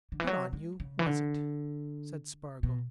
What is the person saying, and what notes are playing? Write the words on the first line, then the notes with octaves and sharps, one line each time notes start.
"Put on you, was it?" said Spargo.
D3
E3
F#3
G#3
C#3
E3
D3
B2